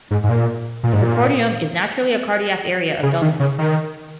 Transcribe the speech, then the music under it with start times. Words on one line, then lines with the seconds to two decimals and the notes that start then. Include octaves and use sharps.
The precordium is naturally a cardiac area of dullness.
0.11 G#2
0.24 G#2
0.29 A#2
0.83 A#2
0.93 G#2
1.02 A#2
3.03 C#3
3.22 D#3
3.40 C#3
3.59 D#3